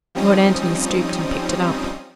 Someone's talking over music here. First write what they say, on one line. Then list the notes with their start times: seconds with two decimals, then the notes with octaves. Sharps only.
Lord Antony stooped and picked it up.
0.15 F3 G3 C4 C#4 D#4 D#6